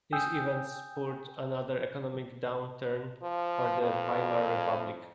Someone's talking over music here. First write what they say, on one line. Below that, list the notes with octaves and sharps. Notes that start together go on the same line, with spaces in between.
This event spurred another economic downturn for the Weimar Republic.
G5 G#5 D#6 E6 G6
F3
F2